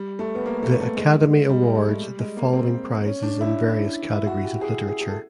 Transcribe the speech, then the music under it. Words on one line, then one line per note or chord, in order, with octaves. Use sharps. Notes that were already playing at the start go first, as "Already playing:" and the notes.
The Akademi awards the following prizes in various categories of literature.
Already playing: G3
A3
B3
A#3
A3
A3
G#3
G3
G#3
A3
G#3
G3
G#3
A#3
C4
C#4
D4
E4
E4
F#4
G4
G#4
G#4
G#4
A4